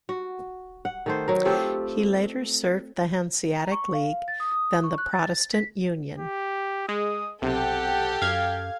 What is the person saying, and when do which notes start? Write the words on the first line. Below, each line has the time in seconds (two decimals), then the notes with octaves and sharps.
He later served the Hanseatic League, then the Protestant Union.
0.09 F#4
0.85 F#5
1.06 D#3 A3 C5
1.28 F#3 A#4
1.45 A3 C4 F4 G4
3.60 A#5
3.72 C#6
3.94 F5
4.28 A6
4.40 D#6
4.51 D#6
4.84 C#6
4.98 F#6
5.13 A6
5.53 B6
6.18 G4
6.89 G#3 D#6
7.42 B1 C3 G4 A4 F#5
8.22 F#2 F5 G#6